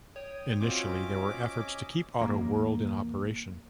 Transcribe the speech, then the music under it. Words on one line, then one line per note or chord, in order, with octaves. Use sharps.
Initially, there were efforts to keep AutoWorld in operation.
C#5 G5 D#6
C4 C#4 F4 F#4 D#5 E5 D6
A#1 E2 A#3